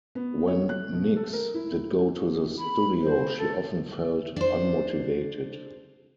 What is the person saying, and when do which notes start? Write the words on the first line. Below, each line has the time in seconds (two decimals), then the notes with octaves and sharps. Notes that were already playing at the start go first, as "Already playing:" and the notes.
When Nicks did go to the studio, she often felt unmotivated.
0.15 B3
0.48 C#5
0.69 F#6
0.93 B2
1.16 A4
1.33 A#4
1.54 E4
2.59 B5
3.02 C5
3.38 A4
4.36 D4 C5